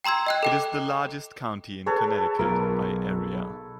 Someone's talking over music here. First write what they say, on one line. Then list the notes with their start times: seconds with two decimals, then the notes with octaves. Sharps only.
It is the largest county in Connecticut by area.
0.04 G5 A#5 C6 E6 G#6
0.27 D#5 G5 F#6
0.43 A4 G5 D6
1.86 G#4 A4 B4 C#5
2.39 B1 F4 A#4